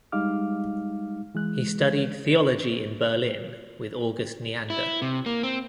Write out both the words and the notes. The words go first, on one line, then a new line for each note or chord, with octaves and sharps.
He studied theology in Berlin with August Neander.
G3 G#3 D#4 F5 D6 F6
E3 G#3 F#6
E4
C3
A#3
C4